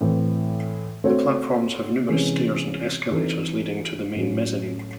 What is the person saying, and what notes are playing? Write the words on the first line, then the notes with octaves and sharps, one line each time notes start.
The platforms have numerous stairs and escalators leading to the main mezzanine.
A2 E3 C4
A3 C4 F#4 C#5
C3 E3 G#3 C#4
E3 C4 D#4 A4
A2 F#3 C#4 F#4